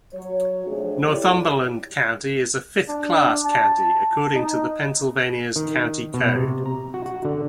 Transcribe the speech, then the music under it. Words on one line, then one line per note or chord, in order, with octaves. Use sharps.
Northumberland County is a fifth class county according to the Pennsylvania's County Code.
F#3 C#5
C3 F3 A3 D4 F#4 G#4
E4 G4 A4 C#5 D5
D4
A5
D#4
D#3
B2
C3
A#5
F#4
F#4
D3